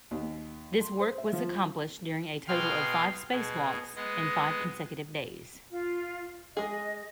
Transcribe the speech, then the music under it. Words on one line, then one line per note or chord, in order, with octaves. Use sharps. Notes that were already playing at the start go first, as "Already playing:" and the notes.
This work was accomplished during a total of five spacewalks in five consecutive days.
D#2
C6
C5
E5
F3
B2 G#4 F5 G5 C6 F6
B2 G#4
G#3 B3 D#5
F4
G#3 G#4 D#5